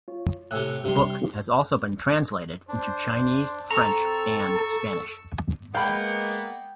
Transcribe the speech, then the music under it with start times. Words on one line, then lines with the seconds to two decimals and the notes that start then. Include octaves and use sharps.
The book has also been translated into Chinese, French and Spanish.
0.08 F4 C#5
0.51 A2 C3 G#5 E6 F#6
0.85 C3 G3 D4 G4 C6
2.69 D4 C5
3.71 C4 A4 A#5 C#6 E6
5.74 G#3 A#3 B3 F5 G5 B5